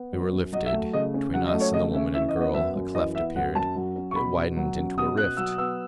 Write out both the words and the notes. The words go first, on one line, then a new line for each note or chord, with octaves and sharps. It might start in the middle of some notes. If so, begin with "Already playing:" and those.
We were lifted; between us and the woman and girl a cleft appeared; it widened into a rift.
Already playing: B3
F#2
F#2
F#3 D#5
E5
A3
C#3 D#5
C#4
F#3 F#5
D#5
A3
C#5
C#3 D#5
C#4 E5
E3 E5
D#5
B3
D#5
F#2 E5
F#2
E3 D#5
B3 E5
F#2 F#5
F#2 A5
F#3
C#4
C#6
B2 B5
B2
F#3
C#4
B2 D#6
B2 F#6
F#3 E6
B3 E6